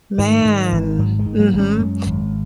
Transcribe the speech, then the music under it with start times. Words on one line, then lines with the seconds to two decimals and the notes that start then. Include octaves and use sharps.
Man, mhm.
0.18 G#2 D#3
0.45 G#2
0.72 G#1
0.99 G#2 F#3
1.19 D#3 G#3
1.26 G#2
1.39 F#3 A#3
1.53 G#1
1.60 G#3 C#4
1.79 F#2
2.06 G#1